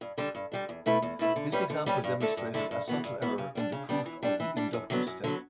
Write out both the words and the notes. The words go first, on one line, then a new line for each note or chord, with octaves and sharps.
This example demonstrated a subtle error in the proof of the inductive step.
G2
D3 G3 D4
G2
D3 G3 D4
E2
B2 A3 E4 B4
E2
B2 A3 E4 B4
D3
G3 C#4 G4 B4
D3
G3 C#4 G4 B4
G2
D3 A3 E4 A4
G2
D3 A3 E4 A4
G2
E3 B3 F#4
G2
E3 B3 F#4
C#3
G3 B3 D4
C#3
G3 B3 D4
E3
G3 D4
E3
G3 D4
F#2
D3 F#3 B3
F#2
D3 F#3 B3